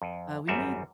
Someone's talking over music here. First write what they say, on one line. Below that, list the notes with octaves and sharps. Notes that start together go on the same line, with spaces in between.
uh, we made
F2
G#1 F#2 G3 C4 F#4 E5